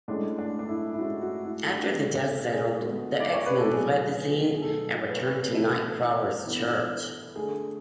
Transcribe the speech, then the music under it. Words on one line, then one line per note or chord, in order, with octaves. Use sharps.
After the dust settled, the X-Men fled the scene and returned to Nightcrawler's church.
A2 G#3 C#4 D4
D4
D4
E4
E4
A2 G#3 C#4 F#4
F#4
E4
D4
D3 G#3 B3 C#5
G#4
A4
G#4
D3 G#3 B3 F#4
D5
C#5
B4
A4
B2 F#3 A3 G#4
G#4
B2 F#3 A3 A4
B4
C#5
B4
B4
E3 B3 D4 A4
E3 B3 D4
D3 A3 D4 G#4